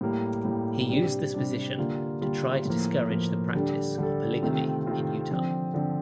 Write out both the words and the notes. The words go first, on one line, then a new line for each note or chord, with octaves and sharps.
He used this position to try to discourage the practice of polygamy in Utah.
A2 G3 A#3
A2 G3 A#3
C3 G3 D4
C3 G3 D4
D3 G3 A#3 F4
D3 G3 A#3 F4
A2 F3 A#3
A2 F3 A#3
D3 G3 D4 A4
D3 G3 D4 A4
C3 D#3 A3 C4 F4
C3 D#3 A3 C4 F4
D3 F3 C4
D3 F3 C4